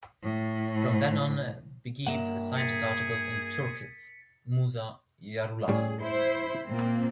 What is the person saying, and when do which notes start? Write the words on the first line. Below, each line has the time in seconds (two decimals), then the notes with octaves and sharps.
From then on Bigeev signed his articles in Turkic - Musa Jarullah.
0.23 A2
2.07 G2 A#3 A#4 E5 F#5
2.56 G#4 A6 B6 C#7
5.68 A2 G3 C#4 G#4
6.01 E4 C5
6.67 A#2 A#3 C4